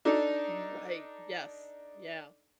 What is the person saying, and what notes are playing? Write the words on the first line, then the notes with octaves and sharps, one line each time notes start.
Right, yes, yeah.
D4 D#4 A4